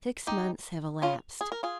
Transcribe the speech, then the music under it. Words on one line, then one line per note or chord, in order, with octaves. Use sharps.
SIX months have elapsed.
D#4 G4
C#4 F4
G#4
A#4
F4 G#4